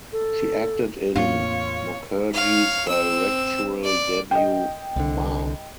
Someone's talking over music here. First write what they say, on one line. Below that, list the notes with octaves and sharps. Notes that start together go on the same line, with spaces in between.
She acted in Mukherjee’s directorial debut "Maa".
A4
E2 A2 A#3 C4 D4 F4 C#5
C#5 F5
C4 E6
D5
D#5 G5
C2 D3